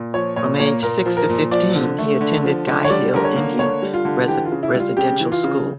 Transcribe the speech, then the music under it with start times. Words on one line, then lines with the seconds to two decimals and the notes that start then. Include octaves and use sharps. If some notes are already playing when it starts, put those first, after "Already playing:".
From age six to fifteen, he attended Guy Hill Indian Residential School.
Already playing: A#2
0.14 F3 C#5
0.36 A#2 C#5
0.59 A#3 C#5
0.82 A#2 A#4
1.06 F3
1.17 A#4
1.29 A#2
1.51 F3 D5
1.75 D3
1.98 A3
2.21 D3
2.44 F3
2.67 D3
2.84 C#5
2.90 G3 D5
3.14 D3 A#4
3.24 C#5
3.36 A#3
3.59 D3 C#5
3.82 G3
3.94 F4
4.05 D3
4.28 E3 G4
4.45 F4
4.52 C#3
4.63 E4
4.74 G3
4.80 F4
4.97 C#3 G4
5.20 E3
5.32 F4
5.44 C#3